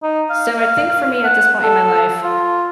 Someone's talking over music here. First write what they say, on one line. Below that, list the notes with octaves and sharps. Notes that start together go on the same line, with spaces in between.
So, I think for me at this point in my life,
D#4
F5
F#5
A4
F4